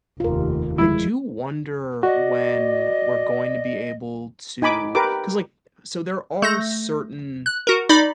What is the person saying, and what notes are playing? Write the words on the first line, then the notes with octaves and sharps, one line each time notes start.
I do wonder when we're going to be able to 'cause like so, there are certain
F1 D#2 F4 A#4
F3 G#3 E4
F#4 D5 D#5
D#4 G#5 B5 D6
G4 A#4 B4 D6
A3 G6 A#6
F#6
F#4 A#4
D#4 D5 B5